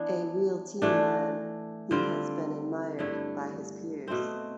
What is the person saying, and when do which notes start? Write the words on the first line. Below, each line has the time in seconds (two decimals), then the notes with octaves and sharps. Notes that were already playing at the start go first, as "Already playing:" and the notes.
A real team man, he has been admired by his peers.
Already playing: E3 B3 D4
0.82 E3 A3 D4
1.91 D3 G3 C4 F4
2.99 G2 D3 A3 E4
4.08 B2 A3 C4